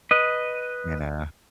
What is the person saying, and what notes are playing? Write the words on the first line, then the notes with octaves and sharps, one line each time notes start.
you know.
B4 D#5